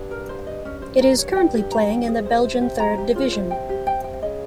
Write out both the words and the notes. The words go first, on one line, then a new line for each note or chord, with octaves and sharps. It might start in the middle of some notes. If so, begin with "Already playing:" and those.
It is currently playing in the Belgian Third Division.
Already playing: G2
A#4
C5
D#5
G2 C#4
C5
A#4
C#5
G5
G4
A#5
G5
C3 G#4
C5
C5
G4
A#5
G4
C#3 F4
C3 C5
C3 G5
G4
G5
G5
C#3 D#5